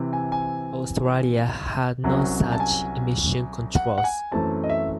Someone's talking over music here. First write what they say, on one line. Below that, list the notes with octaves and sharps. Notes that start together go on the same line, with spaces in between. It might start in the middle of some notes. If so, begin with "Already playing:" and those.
Australia had no such emission controls.
Already playing: C3 E3 C4
G#5
G#5
C2 C3 F#3 C#4
A5
G#5
F#5
F#5
G#5
F#2 E3 A3 C4 A5
D#5
E5